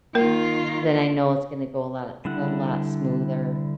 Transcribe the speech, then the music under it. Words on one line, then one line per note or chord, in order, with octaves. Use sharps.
then I know it's gonna go a lot a s a lot smoother.
D#3 A#3 F4 A#4
D3 G3 E4 F#5